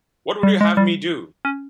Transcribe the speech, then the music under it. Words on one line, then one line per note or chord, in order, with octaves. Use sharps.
What would you have me do?
G3
G#3
G3
C#4